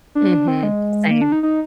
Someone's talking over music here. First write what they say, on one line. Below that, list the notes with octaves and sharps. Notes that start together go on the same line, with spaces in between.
Mhm. Same.
D4
C4
G#3
A#3
D4
D#4
D#4